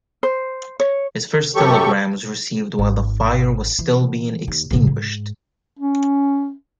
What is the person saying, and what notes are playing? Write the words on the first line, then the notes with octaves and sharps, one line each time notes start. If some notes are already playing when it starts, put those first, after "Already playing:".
His first telegram was received while the fire was still being extinguished.
C5
C#5
F#2 F#3 G4 A4 C#6
G#1
E3
D#2
A1 C#3
G#2
C#4